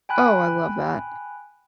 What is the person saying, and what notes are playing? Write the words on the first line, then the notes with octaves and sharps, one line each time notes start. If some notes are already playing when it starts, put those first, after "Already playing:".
Oh, I love that.
G5 G#5 B5 F#6